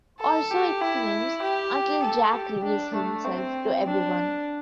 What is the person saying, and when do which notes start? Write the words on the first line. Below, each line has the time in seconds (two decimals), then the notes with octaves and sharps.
Or so it seems...until Jack reveals himself to everyone.
0.20 A4
0.51 G4
0.82 E4
1.42 G4
2.03 A4
2.33 G4
2.64 D4
2.95 A3
3.25 C4
3.86 D4